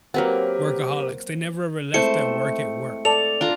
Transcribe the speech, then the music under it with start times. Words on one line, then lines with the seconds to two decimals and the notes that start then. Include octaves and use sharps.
workaholics. They never ever left their work at work.
0.14 F#3 A#3 C4 G4 A#4 B4 F#5
1.94 G#3 A3 C4 E4 C5 C#7
3.05 A4 D5 F7
3.41 D4 F4 A#5